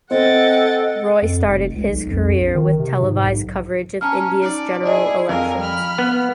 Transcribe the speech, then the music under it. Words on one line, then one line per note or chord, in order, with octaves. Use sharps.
Roy started his career with televised coverage of India's general elections.
C4 A4 D#5 F#5 G5 A6
F2
F1
C#2
B1
F2
A#1
D#3
C3
G#2
B1
C#4 A5 A#5 F6
D#4 D5 A5 D7
E4 G#4 D5 D#5
F2 A#4 F5 G#5
B5 F6
B3